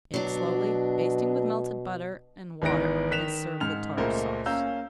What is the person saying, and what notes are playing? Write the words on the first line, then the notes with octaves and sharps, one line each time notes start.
Bake slowly, basting with melted butter and water, and serve with Tartar Sauce.
B2 F#3 D4
G#1 E3 B3 D#4 A#6 D7
D#3 F#6 B6 E7 F7
G#2 F6 F7
C#2 A#2 A3 A#4 C5
A#3 C#4 F5 A#5 E6 G6